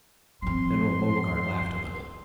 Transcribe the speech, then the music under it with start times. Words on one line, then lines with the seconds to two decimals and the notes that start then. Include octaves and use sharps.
General Beauregard laughed a little.
0.42 F3 C4 C6